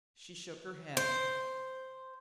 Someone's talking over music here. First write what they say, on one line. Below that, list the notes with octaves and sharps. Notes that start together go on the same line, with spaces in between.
She shook her head.
C5